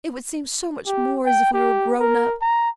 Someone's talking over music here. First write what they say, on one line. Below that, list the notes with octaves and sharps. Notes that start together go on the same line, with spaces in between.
It would seem so much more as if we were grown up.
G4
G5
G4
A#4
A#5